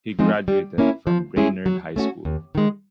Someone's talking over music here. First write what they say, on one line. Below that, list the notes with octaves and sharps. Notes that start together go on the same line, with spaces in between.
He graduated from Brainerd High School.
F3 G#3 C4 D#4
G3
A#3 C#4 E4
F3
G#3 C#4 E4 G#4
F#3
A3 C#4 F#4
D#2
D#3 G#3